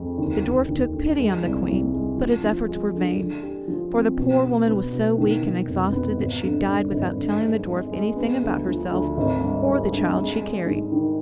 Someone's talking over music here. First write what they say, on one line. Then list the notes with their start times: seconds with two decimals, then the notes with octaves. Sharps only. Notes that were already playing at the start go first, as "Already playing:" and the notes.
The dwarf took pity on the Queen, but his efforts were vain, for the poor woman was so weak and exhausted that she died without telling the dwarf anything about herself or the child she carried.
Already playing: F2 G#3
0.18 D#2
0.43 D#2
0.68 D#2
0.94 D3
1.18 G#3
1.43 C2
1.69 C2
1.94 G#3
2.18 F3
2.44 F3
2.68 G#3
2.94 D3
3.18 D3
3.43 G4
3.68 F3
3.93 C4
4.17 B2
4.42 B3
4.67 B3
4.92 B2
5.18 D#3
5.42 D#3
5.67 F1
5.92 B3
6.17 G#1
6.43 D3
6.68 G2
6.92 G#1
7.17 D3
7.42 G#3
7.68 G#3
7.92 G#3
8.16 B3
8.42 D2
8.66 F3
8.91 D2
9.17 G#1
9.41 G2
9.67 G#3
9.91 D3
10.16 G#3
10.42 G#3
10.66 G#2
10.92 D#3